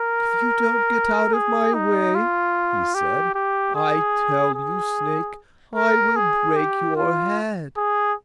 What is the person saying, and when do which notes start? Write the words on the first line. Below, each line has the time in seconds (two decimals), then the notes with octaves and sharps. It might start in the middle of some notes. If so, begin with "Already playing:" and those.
"If you don't get out of my way," he said, "I tell you, snake, I will break your head."
Already playing: A#4
1.33 G#4
1.74 D#4
2.15 F4
2.94 G4
3.35 G4
3.75 G#4
4.55 G#4
5.75 A#4
6.16 G#4
6.56 G4
6.96 F4
7.77 G#4